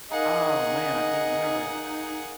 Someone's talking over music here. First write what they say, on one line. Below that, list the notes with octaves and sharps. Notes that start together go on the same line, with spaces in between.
Oh, man. I can't remember
D#4 G#4 A#4 D#5 F5 F#5